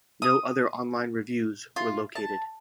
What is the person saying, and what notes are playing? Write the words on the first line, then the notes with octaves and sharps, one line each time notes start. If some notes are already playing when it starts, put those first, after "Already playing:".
No other online reviews were located.
D#6
F4
A5